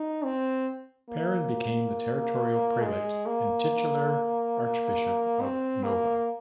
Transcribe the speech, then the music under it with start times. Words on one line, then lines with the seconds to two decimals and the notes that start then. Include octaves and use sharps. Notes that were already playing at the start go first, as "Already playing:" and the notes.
Perrin became the Territorial Prelate and titular archbishop of Nova.
Already playing: D#4
0.24 C4
1.10 A#3
2.82 G#3
3.26 A#3
5.40 C4
5.84 A#3